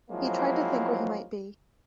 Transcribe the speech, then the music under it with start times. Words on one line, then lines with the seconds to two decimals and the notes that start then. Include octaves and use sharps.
He tried to think where he might be.
0.11 F3 F#3 G#3 A#3 C4 E4